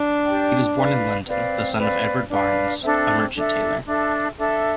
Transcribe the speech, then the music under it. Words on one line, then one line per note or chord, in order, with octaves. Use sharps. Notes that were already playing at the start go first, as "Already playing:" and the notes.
He was born in London, the son of Edward Barnes, a merchant taylor.
Already playing: D4
G4 D5 G5
B4 D5 F5
C4 B4 D5 F5
B4 D5 F5
D4 B4 D5 F5
C4 D4 A4 E5
D4 A4 E5
D4 A4 E5
D4 A4 E5